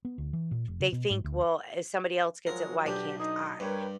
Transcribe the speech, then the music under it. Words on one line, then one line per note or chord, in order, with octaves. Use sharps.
they think, well, "If somebody else gets it, why can't I?"
B3
D2
E3
A#2
F1
C#3
B2
G#2
D2
F3 F#3 G#3 A#4
B1 D4 G4
D#4 D#6
G2 A#4 B4 C#5 G5